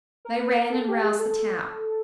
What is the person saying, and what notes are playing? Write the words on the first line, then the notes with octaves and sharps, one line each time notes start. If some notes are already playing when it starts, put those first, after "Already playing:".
They ran and roused the town.
A#4
B4
A#4
A4
G4
G#4
A4